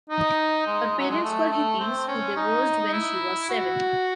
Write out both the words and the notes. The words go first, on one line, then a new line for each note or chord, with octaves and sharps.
Her parents were hippies who divorced when she was seven.
D#4
G#3
F#3
G#3
A3
A3
C4
C#4
D#4
E4
F#4